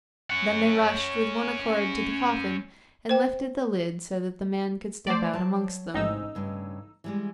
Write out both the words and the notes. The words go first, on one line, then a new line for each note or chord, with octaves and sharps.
Then they rushed with one accord to the coffin, and lifted the lid so that the man could step out amongst them.
C#4 F#5
C5 G5
F3 A3 C5 D5
F#3 A5
A1 G#2 C3 D#4 E6
G2 C#3
E3 G3 G#3